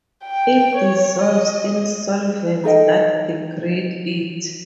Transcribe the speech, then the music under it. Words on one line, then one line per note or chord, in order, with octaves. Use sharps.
It "dissolves" in solvents that degrade it.
G5
C#5
D#5
D#4 A4 D#5 G5